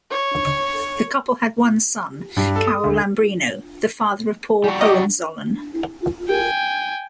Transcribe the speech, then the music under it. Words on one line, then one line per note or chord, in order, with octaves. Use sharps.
The couple had one son, Carol Lambrino, the father of Paul Hohenzollern.
C#5
G2
A4
D#6
D2
G3 F#4
G4 D#5
G5 G#5